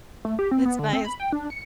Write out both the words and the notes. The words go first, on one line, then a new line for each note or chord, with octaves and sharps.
it's nice.
A3
G4
C4
B3
D3
C4
B5
G5
D4
C#7